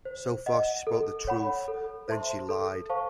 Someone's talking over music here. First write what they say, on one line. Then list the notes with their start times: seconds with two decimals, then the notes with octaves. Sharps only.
So far she spoke the truth; then she lied.
0.05 C5
0.46 D#5 F#5
0.87 A4
1.27 C#5 F#5 B5
1.68 A4
2.08 C5 E5 A5 C6
2.49 A4
2.89 C5 F5 A5 C#6